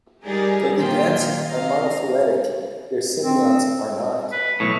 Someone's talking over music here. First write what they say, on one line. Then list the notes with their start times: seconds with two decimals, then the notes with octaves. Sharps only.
Though the ants are monophyletic, their symbionts are not.
0.25 G3 D#4 G4 G#4 A#4 D5
0.76 A#2 D#3 A#3 F4 G5
1.44 D#5 F5 A#5
3.23 C4
4.32 B4
4.60 B1 A2 C#6